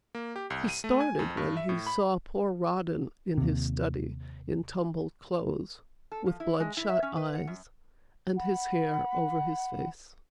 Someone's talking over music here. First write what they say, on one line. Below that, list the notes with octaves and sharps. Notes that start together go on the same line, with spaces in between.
He started when he saw poor Rawdon in his study in tumbled clothes, with blood-shot eyes, and his hair over his face.
A#3
G4
C2
D#7
A3
G#5
F2
G2
E5
A2
B5
D#2 C3
A4
F3
E4
G#3
E4
E5
C#4
B4
F#5
F#2
F#5 B5